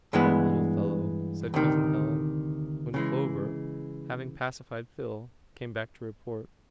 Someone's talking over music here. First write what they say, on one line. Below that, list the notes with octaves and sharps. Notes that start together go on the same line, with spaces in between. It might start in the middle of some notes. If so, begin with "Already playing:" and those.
"Poor little fellow!" said Cousin Helen, when Clover, having pacified Phil, came back to report.
G2 E3 G#3 B3
D2 C3 D#3
C#3 E3 G#3